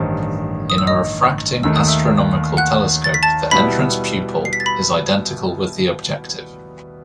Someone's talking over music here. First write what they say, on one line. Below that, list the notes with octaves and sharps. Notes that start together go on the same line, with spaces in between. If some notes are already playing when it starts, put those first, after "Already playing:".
In a refracting astronomical telescope the entrance pupil is identical with the objective.
Already playing: A1 G2 D#3 C5
D#6
E6
D#5 D#6
D#2 D#3 A3 E6
D#6
E5 E6
F#5 F#6
A6
B6
A5 A6
B2 G3 B3 E4 B5 B6
C7
B6
A6
B5 B6